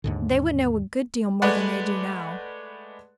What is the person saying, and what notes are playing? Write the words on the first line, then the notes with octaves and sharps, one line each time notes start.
They would know a good deal more than they do now.
D#2 G#2 D3
G#3 A3 B4 D5 F#5